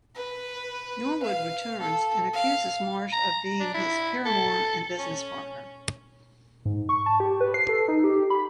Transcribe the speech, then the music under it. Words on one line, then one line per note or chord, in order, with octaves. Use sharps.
Norwood returns and accuses Marsh of being his paramour and business partner.
B4
F5
A4
F5
A#5
D4
E4
A4
C#4
G#2
C#6
A5
G4
B4
C7
A4
D#4
G4
B5